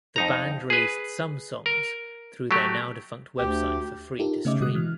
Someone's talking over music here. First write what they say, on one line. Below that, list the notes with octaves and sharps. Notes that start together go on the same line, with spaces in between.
The band released some songs through their now defunct website for free to stream.
F2 D#4 A#5
G#4 B4
A#4
F#3 A3 G4
D2 G4
D#4 F4 G4 A4 A#4
C#3 A3 C#4 D#5 E5 D6
B2 D3 G#3 F#4 D#6 F#6
E3 F6